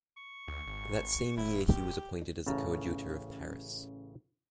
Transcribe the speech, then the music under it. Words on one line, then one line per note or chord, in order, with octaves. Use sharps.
That same year, he was appointed as the Coadjutor of Paris.
C#6
D2
G#1
D#1 E4
G4
A1 C#3 A5 A#5